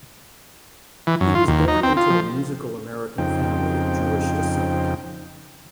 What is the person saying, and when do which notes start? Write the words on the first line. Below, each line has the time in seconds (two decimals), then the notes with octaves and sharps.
He was born into a musical American family of Jewish descent.
1.07 E3
1.21 F#2
1.35 F4
1.48 D#2
1.68 D#4
1.83 C4
1.97 F4
2.10 F3
3.18 F2 C#3 F3 C4 D#4 G5